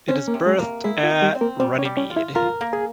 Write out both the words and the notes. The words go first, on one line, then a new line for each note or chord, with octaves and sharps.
It is berthed at Runnymede.
C4 C#4 C5
A#3 A#4
C3
G#3 G#4
A#3
G#3 E4 G#4
F4
C3
G3 G4
C4
A#3 A#4
G3 C4 C5
C#4 C#5
G3
C#4 C#5
F4
E4 E5
F4 A#4 F5
A#3
G#4 G#5